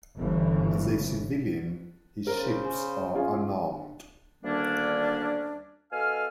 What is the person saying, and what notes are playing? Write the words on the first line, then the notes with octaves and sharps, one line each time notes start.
As a civilian, his ships are unarmed.
G1 C#3 E3
C#3 A#4 C5
G#4
C#4 F4 G#4
D2 D#3 G3 A#3 C#4 D4
B2 A4 F5 G#5 F6